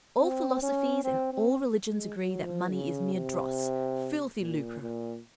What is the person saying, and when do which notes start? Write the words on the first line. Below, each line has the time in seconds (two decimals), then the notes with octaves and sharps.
All philosophies and all religions agree that money is mere dross, filthy lucre.
0.20 C4
0.62 C#4
1.04 C4
1.33 C4
1.88 G#3
2.16 F#3
2.44 F3
2.72 C#3
3.14 C3
4.40 A#2
4.82 A#2